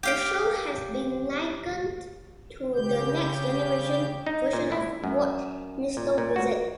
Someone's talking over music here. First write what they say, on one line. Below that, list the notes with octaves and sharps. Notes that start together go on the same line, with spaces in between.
The show has been likened to the next generation version of "Watch Mr. Wizard".
G4 F5 G5
C#3 G4 G6
D#4
A#2
E4
F#2
A#2
A#2
F#4